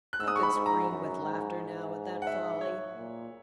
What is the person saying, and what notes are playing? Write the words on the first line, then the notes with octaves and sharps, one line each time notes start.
I could scream with laughter now at that folly!
F#6
G#2 E6
D#6
C#6
B5
G#2
A#5
F#2
G#2
F#5
E5
C#5
A#2